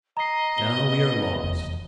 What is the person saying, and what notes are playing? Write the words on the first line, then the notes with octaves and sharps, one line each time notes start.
"Now we are lost."
D#5 A#5 C7
B2 G7
F1 E2